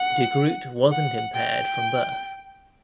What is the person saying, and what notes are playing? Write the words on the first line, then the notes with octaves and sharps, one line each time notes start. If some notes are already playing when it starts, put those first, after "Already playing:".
De Groot wasn’t impaired from birth.
Already playing: F#5
F#5
G5